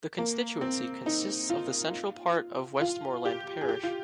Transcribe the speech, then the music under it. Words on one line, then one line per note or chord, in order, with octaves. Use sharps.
The constituency consists of the central part of Westmoreland Parish.
A#3
C4
D#4
F4
F4
G4
G#4
G4
F4